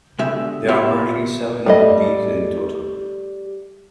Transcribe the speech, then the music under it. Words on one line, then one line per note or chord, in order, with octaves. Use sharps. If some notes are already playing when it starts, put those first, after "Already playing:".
There are currently seven of these in total.
B2 D3 G#3 G4 E5
B3 E4 F4 G4 B4
G3 A3 D#5